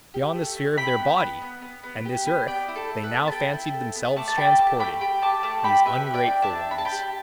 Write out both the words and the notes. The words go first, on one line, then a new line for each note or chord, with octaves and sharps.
Beyond the sphere of their body and this earth they now fancied themselves transported, these ungrateful ones.
G4
A3
A3
E4 G5 B5
B3
B3
B3
B3
B3
G4
B3
B3 D5 G5
E4
A4
A4
B4
B3
A5
A4 G5 B5
E4
A4
B3
A3 A5 D6
A5
G4 G5 B5
A3 A5 D6
A3 G5 B5
G4 G5 B5
A3 A5 D6
A3 A5 D6
G4 G5 B5
G4 B4 E5
G4
D5 G5
D4
E5 A5
D4
D4 B5
A5
G5 B5
G4